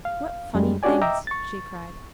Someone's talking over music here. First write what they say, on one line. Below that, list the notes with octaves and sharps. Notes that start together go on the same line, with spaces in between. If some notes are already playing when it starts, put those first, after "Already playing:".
"What funny things!" she cried.
F5
F#2 G3 G#3
C#4 D4 F#4 G4 D5 G#5
D#5 E5 G5 A#5 D6 E6
C#6 A6